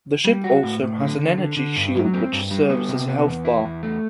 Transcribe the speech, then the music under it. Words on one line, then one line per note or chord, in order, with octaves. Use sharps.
The ship also has an energy shield which serves as a health bar.
G3
F#4
A2
A2
D3
D3
D3
D3
G2
F#3
C4
G2
G3
B3
C3
B3
E2
E4
E2
A3